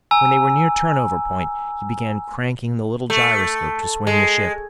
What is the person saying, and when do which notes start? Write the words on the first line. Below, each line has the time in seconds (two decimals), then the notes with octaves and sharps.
When they were near turnover point, he began cranking the little gyroscope to swing the ship.
0.11 G#5 A#5 E6
3.10 A3
4.07 G#3